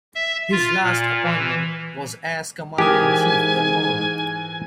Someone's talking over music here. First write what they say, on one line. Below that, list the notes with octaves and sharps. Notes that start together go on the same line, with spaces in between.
His last appointment was as Commander-in-Chief, The Nore.
E5
F4
A#2
E3
G#2 E3 G4 A#4 G#5 D#6